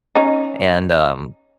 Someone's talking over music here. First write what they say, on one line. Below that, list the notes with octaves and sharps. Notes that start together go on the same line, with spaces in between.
and, um
C#4 D#4